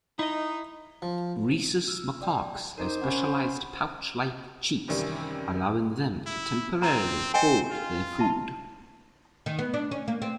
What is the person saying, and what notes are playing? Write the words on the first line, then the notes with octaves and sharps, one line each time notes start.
Rhesus macaques have specialized pouch-like cheeks, allowing them to temporarily hoard their food.
D#4 E4 D#5
F3
E6 F6
D5 G5
D#4 A#4 C5 A#5 D6
C#4 F#5 B5
F#2 C3 D#3 E3 G3
E4
C4 A#5
C5 D#5 G5 G#5
F4
E4 A5
D#3
B3
D4
C#4
A#3
C4